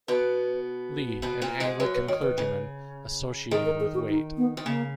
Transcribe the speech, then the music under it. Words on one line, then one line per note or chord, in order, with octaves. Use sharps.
Lee, an Anglican clergyman, associated with Waite.
B2 B3 B4
B2 B3
A#2 A#3
G#2 G#3
F#2 F#3 B4
B4
D#3 C#5
B4
C#3
D#3 G#4
A#4
G#4
F#4
D#4
B3
D#3
C#3 A#3